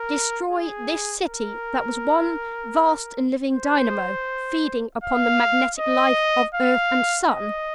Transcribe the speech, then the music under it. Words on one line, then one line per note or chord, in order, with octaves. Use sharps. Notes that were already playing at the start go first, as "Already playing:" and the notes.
Destroy this City that was one vast and living dynamo feeding upon the magnetic life of earth and sun!
Already playing: A#4
G#4
A#4
C5
F5
D#5
F5
D#5